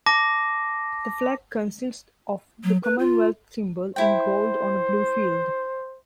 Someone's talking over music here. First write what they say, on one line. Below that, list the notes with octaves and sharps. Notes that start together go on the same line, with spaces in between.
The flag consists of the Commonwealth symbol in gold on a blue field.
A5 D6 A#6
F#3
B4
F4
E4 C5 G5